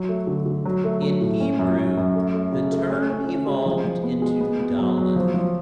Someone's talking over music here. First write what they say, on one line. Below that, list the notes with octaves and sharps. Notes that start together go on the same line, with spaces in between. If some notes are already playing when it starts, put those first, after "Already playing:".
In Hebrew the term evolved into "daleth".
Already playing: F#3
A3
D3
D3
F#3
A3
F#3
A2
C#4
F#2
F#2
F#2
A3
A3
C#3
A3
C#4
C#4
C#4
G#3
F3
F3
B3
G#3
B3
B3
F#3
F#3
F3
F3